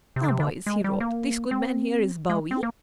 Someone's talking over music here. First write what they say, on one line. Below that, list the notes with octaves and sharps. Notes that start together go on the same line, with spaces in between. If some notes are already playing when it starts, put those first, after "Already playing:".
"Now boys," he roared, "this good man here is Bowie."
C3
D3
C3
D3
G#3
G3
A#3
C4
G#3
C4
A#3